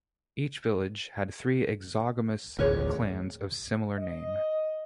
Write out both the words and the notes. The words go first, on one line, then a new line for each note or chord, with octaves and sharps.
Each village had three exogamous clans of similar name.
E1 A1 D2 F4 G#4 A#4 B4 C#5
D#5